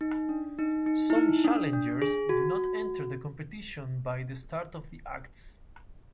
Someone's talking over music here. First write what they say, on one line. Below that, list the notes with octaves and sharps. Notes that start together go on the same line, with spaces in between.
Some challengers do not enter the competition by the start of the acts.
D#4
D4
D#4
D#4
E4
D#4
D4
D4
G#4
F#4